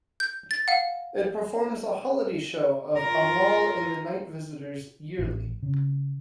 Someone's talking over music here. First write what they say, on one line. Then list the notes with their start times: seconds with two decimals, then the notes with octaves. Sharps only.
It performs a holiday show of "Amahl and the Night Visitors" yearly.
0.20 G6
0.51 A6
0.68 F5 F#5
2.98 F4 A#4
5.19 A1
5.63 C#3